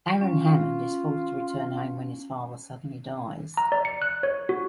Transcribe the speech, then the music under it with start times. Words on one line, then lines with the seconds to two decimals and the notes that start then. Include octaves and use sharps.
Aaron Hammond is forced to return home when his father suddenly dies.
0.21 C#4 F4
3.57 A#5
3.72 D5
3.85 C#7
4.02 F#6
4.23 C#5
4.49 F#4